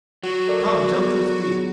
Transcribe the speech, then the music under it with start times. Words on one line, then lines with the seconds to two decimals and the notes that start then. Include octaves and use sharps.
Tom jumped to his feet.
0.23 F#3 F#4
0.47 A4 A#4 D5 D#5
0.84 B3 E4 G#4